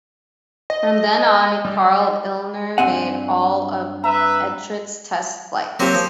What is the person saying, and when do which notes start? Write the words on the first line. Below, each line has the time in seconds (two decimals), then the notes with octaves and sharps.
From then on, Karl Illner made all of Etrich's test flights.
0.70 D#5
1.65 G3
2.78 G2 C4 F#5 G#5
4.04 B4 E5 A#5
5.79 F#3 A#3 C4 F4 G4
5.95 F3